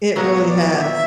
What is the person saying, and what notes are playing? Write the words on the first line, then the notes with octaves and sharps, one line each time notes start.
It really has.
A#2 F#3 B3 C#5
D5
E5